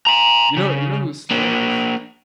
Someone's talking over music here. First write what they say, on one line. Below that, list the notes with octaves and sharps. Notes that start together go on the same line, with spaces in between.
You know you know who Slayr is?
A#5 C6
C#3
A#3 D4